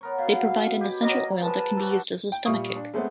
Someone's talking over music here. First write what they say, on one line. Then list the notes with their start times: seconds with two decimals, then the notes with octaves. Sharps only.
They provide an essential oil that can be used as a stomachic.
0.01 B3 A#4 C#5
0.18 B2 F5
0.81 G4 G#5 B5
1.02 F#3 A#3 F4 D#5
1.41 F3 G#3 B4 A5
1.77 F#4 G4 A4
2.32 G5
2.46 A#2 G3 E5 F5 C#6 D#6
2.76 D4
2.94 G#3 A3 B3 C4